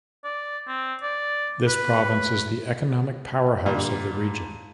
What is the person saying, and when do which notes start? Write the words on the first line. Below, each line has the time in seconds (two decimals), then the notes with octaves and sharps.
This province is the economic powerhouse of the region.
0.24 D5
0.68 C4
1.02 D5
1.67 B4
3.66 A#2 D3 G3